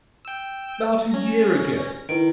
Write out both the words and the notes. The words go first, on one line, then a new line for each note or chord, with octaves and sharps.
"About a year ago."
G5 E6
C#4 A#6
D#3 E4 B4 D7